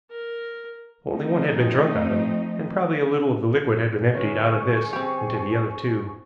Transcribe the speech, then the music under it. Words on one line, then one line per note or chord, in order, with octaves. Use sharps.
Only one had been drunk out of, and probably a little of the liquid had been emptied out of this into the other two.
A#4
F3 A3 C4 D#4
G1 C#4 G#4 G#5 C#6
C4 G4